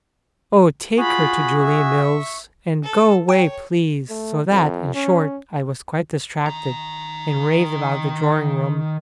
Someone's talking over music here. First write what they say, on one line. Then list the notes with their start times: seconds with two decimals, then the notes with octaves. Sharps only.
Oh, take her to Julia Mills, and go away, please! So that, in short, I was quite distracted, and raved about the drawing-room.
0.98 F4 F#4 G#4 B5
1.61 E5
2.03 C#6
2.84 A4
3.29 C#5 G5
4.10 A3
4.50 F2
4.95 C#4
6.46 D#3 A#5